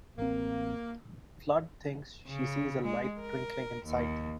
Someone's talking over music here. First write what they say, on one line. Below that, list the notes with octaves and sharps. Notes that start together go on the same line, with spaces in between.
Flood thinks she sees a light twinkling inside them.
A1 A#3 C4
C#3
G#3
A#4
D#2